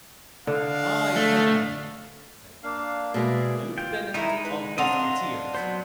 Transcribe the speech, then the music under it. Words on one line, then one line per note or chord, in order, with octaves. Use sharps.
"I had," said he, "a lieutenant of musketeers!"
D3 D4 D#5 F5
A3
A#3 D4 F5
B2 G#3 A#3 G#4 D5 E5
F4 G5
D#3 G#3 D#4 E4 A#5
B4
C4 D4 D#5 F5 F#5 A#5
F#3 B3 C5